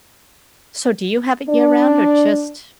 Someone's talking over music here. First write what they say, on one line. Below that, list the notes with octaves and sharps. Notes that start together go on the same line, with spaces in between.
so do you have it year round, or just
D4 D5